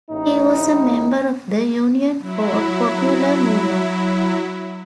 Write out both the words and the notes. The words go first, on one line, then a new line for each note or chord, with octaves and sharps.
He was a member of the Union for a Popular Movement.
A1 A2 D#4
F#3 E4